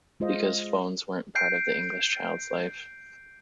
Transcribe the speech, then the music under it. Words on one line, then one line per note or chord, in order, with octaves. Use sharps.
Because 'phones weren't part of the English child's life.
G#3 F4 C5 D#5
G6 C7 D7